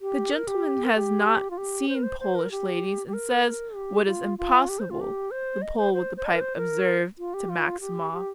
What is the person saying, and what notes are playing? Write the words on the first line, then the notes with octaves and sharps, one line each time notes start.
"The gentleman has not seen Polish ladies, and says what is impossible," the Pole with the pipe observed to Maximov.
G4
A#4
G4
A#4
G4
F4
G4
C5
A#4
C5
C5
A#4
G4
G4
A#4
A#4
G4
F4
F4
G4
C5
F4
G4
C5
D#5
C5
C5
C5
D#5
A#4
C5
A#4
F4
G4
F4
G4
G4